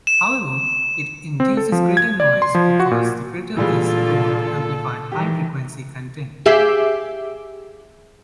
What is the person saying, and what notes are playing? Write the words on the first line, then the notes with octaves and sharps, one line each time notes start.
However, it induces greater noise because the filter is prone to amplify high-frequency content.
E7
C4
A4
F3
G#6
D5
C6
F3
F#4
A#2
A#2 D3 E3 G3 G#3 F4 A4
D#3 E3 G4
G4 G#4 E5